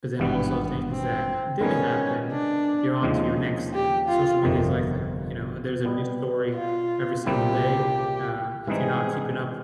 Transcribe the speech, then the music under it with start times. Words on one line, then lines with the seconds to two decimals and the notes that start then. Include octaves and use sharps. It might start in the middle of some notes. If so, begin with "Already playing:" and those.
but then also things that did happen, you're on to your next thing. Social media is like that, you know, there's a new story every single day, uh, if you're not keeping up
0.20 G#1 G2 E3 G3 B3
0.89 C4
1.61 G#2 D#3 G3 B3 C#4 D#4
2.32 D4
3.02 D#2 C#3 F3 G#3 C4 D#4
3.73 G4
4.08 F4
4.43 G1 F2 C3 D#3
5.85 B2 G3 B3
6.55 F4
7.26 C2 A#2 G3 C4 E4 G4
8.67 G#2 E3 G3 C4 D#4 G#4